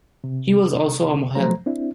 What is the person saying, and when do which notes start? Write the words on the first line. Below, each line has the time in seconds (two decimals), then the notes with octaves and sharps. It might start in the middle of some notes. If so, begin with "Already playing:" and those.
He was also a mohel.
0.24 C3
1.35 F3 F#3 A3 C5 A#5
1.66 C4 D4 E4